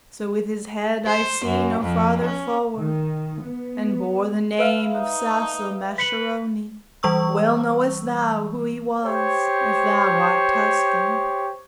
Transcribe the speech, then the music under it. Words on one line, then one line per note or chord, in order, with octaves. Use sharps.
So with his head I see no farther forward, And bore the name of Sassol Mascheroni; Well knowest thou who he was, if thou art Tuscan.
C5
F#2
F2
C#4
D#3
B3
B4 E5 F5
D#4
B4 B6 C#7 F#7
E3 G3 C#6 E6
G4 C5 C#5